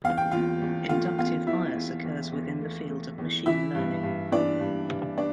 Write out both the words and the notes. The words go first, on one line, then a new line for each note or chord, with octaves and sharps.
Inductive bias occurs within the field of machine learning.
E2 F5
G5
E2 F4 F5
E2
A3 F4 F5
E2 F4 F5
E3 E4 E5
E2
E2
E2
A3
A3
E2
E3 E4 E5
G2
G2
E3 D4 D5
G2
G2
D4 D5